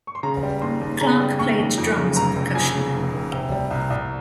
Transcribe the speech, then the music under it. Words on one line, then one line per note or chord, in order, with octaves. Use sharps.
Clarke played drums and percussion.
C#6
C6
C#3 A#5
G3
D#2 C6
D#2
C#3 A#5
G3
D#2 C#6
D#2
F2
C#3
F1 A#5
F1
F2 G#5
C#3
F1
F1
C3
G3
C2
C2